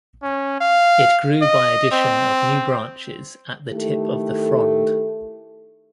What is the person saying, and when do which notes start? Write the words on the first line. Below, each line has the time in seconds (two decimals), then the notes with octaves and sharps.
It grew by addition of new branches at the tip of the frond.
0.23 C#4
0.60 F5
1.42 D#5
1.92 C4
3.71 D#3 A3 E4 G4 A4